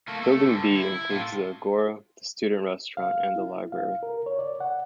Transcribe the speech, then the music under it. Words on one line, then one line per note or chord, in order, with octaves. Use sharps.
Building D includes the agora, the student restaurant and the library.
A3 A#3
A3 A4
G2 D3
E4
E4
A2 F4
F5
E4
F5
A#4
C#5
D5
F#5